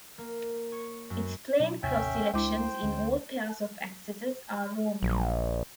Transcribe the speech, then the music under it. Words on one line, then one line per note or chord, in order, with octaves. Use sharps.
Its plane cross selections in all pairs of axes are rhombi.
A#3
C#5
F#2
B2 F#3 D4
A1 D#2 C3 C#4 E5 G5
C#2 G#3 D4 E4 C5 G5 D6
D2 C#4
A#1